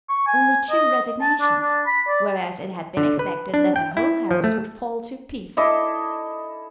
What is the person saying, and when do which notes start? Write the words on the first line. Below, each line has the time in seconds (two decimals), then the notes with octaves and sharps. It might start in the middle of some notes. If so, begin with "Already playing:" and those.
Only two resignations;--whereas it had been expected that the whole House would fall to pieces!
0.09 C#6
0.27 G#5
0.70 D#5
1.21 A5
1.40 D4
1.61 D4
1.86 B5
2.08 D5
2.97 D3
3.19 B4
3.54 D4
3.76 G5
3.97 E4
4.31 F3
4.44 A3
5.57 E4 A4 D#5 D6